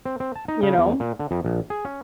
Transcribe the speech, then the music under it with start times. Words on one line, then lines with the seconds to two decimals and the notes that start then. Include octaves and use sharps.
You know?
0.05 C4
0.20 C4
0.36 A5
0.48 D#4
0.63 C#3
0.78 E2
1.00 A#2
1.19 D3
1.31 F2
1.45 A#1
1.70 G#4
1.85 C#4